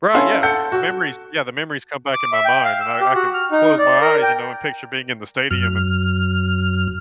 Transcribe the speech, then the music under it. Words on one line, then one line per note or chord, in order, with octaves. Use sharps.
Right, yeah, the memories yeah, the memories come back in my mind and I I can close my eyes, you know, and picture being in the stadium and
C#4 E4 A4 F5 C6
A4 F#5 G6 C#7
F#4
D6
E5
G5
F5
E6
G4
F#4
F6
D#4
D5
A#4
G5
F#2 F6